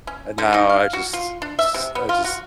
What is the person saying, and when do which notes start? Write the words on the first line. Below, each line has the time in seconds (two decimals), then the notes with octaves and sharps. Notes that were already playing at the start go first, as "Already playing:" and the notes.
and now I just just I just
0.07 C#4
0.38 D3
0.54 D#4
0.70 F5
0.93 F#4
1.13 F4
1.42 D4
1.59 E5
1.74 C3
1.95 B3
2.09 F4
2.24 F#4